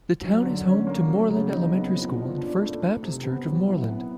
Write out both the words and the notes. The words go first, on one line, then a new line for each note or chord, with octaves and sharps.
The town is home to Moreland Elementary School and First Baptist Church of Moreland.
F#3
D3
C#4
A#3
F#3
C#3
D#4
B3
F3
A#2
D4
A3
D#3
C3
B3
F#3
E4
B3